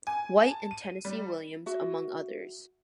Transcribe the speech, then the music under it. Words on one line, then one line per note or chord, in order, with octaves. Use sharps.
White, and Tennessee Williams, among others.
G#5
A5
D#7
G3
F#4 E5